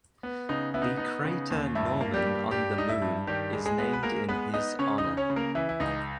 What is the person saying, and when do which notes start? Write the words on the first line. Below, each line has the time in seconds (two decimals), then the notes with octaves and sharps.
The crater Norman on the Moon is named in his honour.
0.23 B3
0.49 C#3 D#4
0.74 B3 E4
0.82 D#4
0.97 B3 D#4
1.25 C#3
1.50 D#2
1.75 G2 E4
2.01 A#3
2.14 G3 G4
2.26 G2
2.51 G2 G3 G4
2.77 G3 D#4
2.89 E4
3.02 G2
3.27 D#3 G3 G4
3.53 G#3
3.66 G#3 G#4
3.78 B3
3.93 B4
4.03 G#3 A#3 A#4
4.29 G#3 B3 B4
4.54 B3 D#4 D#5
4.79 C#3 C#4 C#5
4.98 D#4 D#5
5.04 C#3
5.17 C#4 C#5
5.30 C#3
5.36 A#3 A#4
5.55 E3 E4
5.69 E4
5.80 C#2 D#4